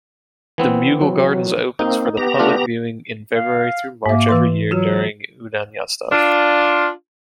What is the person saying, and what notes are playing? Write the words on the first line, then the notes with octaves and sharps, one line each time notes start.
The Mughal Gardens opens for general public viewing in February-March every year during "Udyanotsav".
E3 B3 C4
F#3
A#3 C4 D#4
B3 G4 A#5
A3 D4 F4
F5
G#2 A#3 E5
E3 B4 C6
F#3 F4 F#4
D4 F4